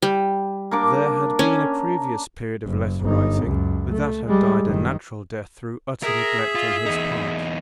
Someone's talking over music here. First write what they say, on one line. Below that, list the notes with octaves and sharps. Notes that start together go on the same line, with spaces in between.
There had been a previous period of letter-writing, but that had died a natural death through utter neglect on his part.
G3
A#3 D4 D6
C#4
F#1
G1 D#4
C#2 F#2
A3
G3 G#3
F#1 D#3
G#4 A#4 E5
F4
E2 D#4